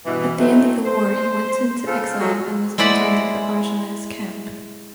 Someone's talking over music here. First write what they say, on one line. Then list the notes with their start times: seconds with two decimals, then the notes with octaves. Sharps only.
At the end of the war he went into exile and was interned in the Argelès camp.
0.05 G2 B2 E3
0.38 F#3 A3 C4 D#4 E4
0.85 C5
1.86 C#3 F4 A4 C5
2.19 F3 F#3 G#3 G#4 A4
2.78 G#3 E4 C5 D5 F#5 B5